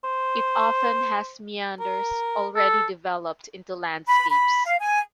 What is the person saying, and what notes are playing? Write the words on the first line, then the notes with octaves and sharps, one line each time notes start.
It often has meanders already developed into landscapes.
C5
A#4
A4
B5
B5
F5
G#5